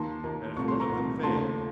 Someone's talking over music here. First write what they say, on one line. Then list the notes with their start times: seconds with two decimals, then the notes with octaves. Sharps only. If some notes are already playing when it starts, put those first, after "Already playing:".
And if one of them failed...?
Already playing: D#2 D#3 A#3 A5 C6
0.23 D#2 D#3 A#3
0.56 C2 A#2 A3 C#6
0.68 C6
0.80 A#5 C#6
0.90 C2 A#2 A3
1.23 D#2 C#3 A3 A5 C6